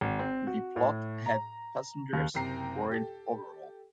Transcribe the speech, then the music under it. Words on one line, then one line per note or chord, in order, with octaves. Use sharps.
The plot had passengers worried overall.
G#1
C4
F#4
A2
A#5
D#2
F#1 C3 G5 A#5 C7
G4 A4